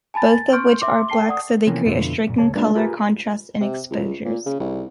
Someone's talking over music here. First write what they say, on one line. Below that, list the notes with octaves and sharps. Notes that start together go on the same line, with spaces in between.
Both of which are black so they create a striking colour contrast in exposures.
G#5 A5 B5 A6
A6
C6 C#6 F6 G6 D7
E5 C6 D6
A4 G5 A5 C7 G7
D5 F#5 D#6
C3 E3 F3 A#3 C#4
F2 B2 D3 B3 E4 F4
C2 F#2 A#2
C#2 E3 C#5 A5
G#3 A#3 D4 F4 B4 E5
F4 G4 G#4 A#4 B4
C3
C#2
A#2
C#3
C2